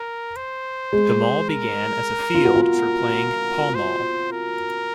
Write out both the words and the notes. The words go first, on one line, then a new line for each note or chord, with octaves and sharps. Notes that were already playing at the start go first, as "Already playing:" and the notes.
The Mall began as a field for playing pall-mall.
Already playing: A#4
C5
G#3
A#4
F4
F#4
F4
A#4
C5
A#4